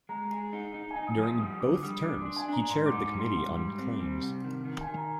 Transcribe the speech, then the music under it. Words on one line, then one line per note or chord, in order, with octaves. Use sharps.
During both terms, he chaired the Committee on Claims.
G#3 A#5
G#4
D#4
D#4
G#5
D#4
D#6
F3
D#6
G3 D#6
D3 D6
G3 D#6
D4 D6
D4 C6
G#5
D4 A#5
G#2 C6
D6
D#4
G3
C6
G#2
G3
C4
G3
C3
D#3
D#3
G#5
D#3
A#5